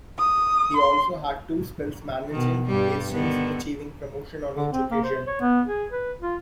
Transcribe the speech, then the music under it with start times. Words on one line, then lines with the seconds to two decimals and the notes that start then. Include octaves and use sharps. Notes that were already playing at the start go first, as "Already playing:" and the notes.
He also had two spells managing Hastings achieving promotion on each occasion.
0.18 D#6
0.77 C6
2.31 B2 D#3
2.65 G2 G3
3.11 D3 D#3 B3
4.56 D3
4.72 C4
4.91 A#3
5.04 C5
5.27 C#5
5.41 B3
5.66 G#4
5.92 B4
6.21 F4